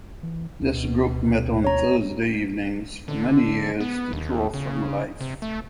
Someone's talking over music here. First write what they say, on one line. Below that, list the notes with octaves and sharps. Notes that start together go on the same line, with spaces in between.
This group met on Thursday evenings for many years to draw from life.
E3
D2 B2
C#5 A#5
D3
B3
D#2
C#3
C3
A3